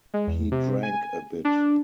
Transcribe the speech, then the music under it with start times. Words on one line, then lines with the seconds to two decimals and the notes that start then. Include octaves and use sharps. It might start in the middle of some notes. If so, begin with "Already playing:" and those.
He drank a bit.
0.14 G#3
0.27 E2
0.52 C3
0.83 G#5
1.45 D4